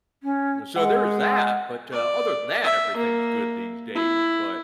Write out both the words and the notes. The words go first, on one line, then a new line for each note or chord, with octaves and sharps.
so there's that, but, uh, other than that, everything's good these days. But,
C#4
G#3 F#5
D5
E5
A#3
E4